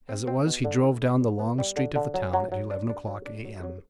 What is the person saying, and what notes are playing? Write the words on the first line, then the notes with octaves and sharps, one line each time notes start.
As it was, he drove down the long street of the town at eleven o'clock A.M.
C4
C4
B2
D3
E4
G3
G3
B3
G3
D3
D3
F#3
F#3
F#3
D4
D4
F#3
D4
F#3
F#3